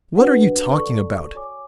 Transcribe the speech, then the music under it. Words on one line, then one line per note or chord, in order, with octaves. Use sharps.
What are you talking about?
D4 F#4 B4 F#5
A4 D5 A5 C#6
F#4 C#5 G#5 D6